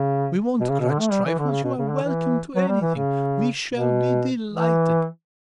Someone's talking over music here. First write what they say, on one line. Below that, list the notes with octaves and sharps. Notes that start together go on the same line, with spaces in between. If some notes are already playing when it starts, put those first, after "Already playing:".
We won't grudge trifles, you are welcome to anything--we shall be delighted!
Already playing: C#3
B2
C#3
B2
D3
A3
G3
E3
D3
C#3
B2
C#3
D3
E3
F#3
G3
E3
C#3
B2
E3